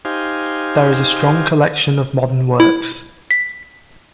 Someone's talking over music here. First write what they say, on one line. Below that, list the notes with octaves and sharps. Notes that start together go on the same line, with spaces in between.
There is a strong collection of modern works.
D#4 G4 C5 F5 G#5
E4
B6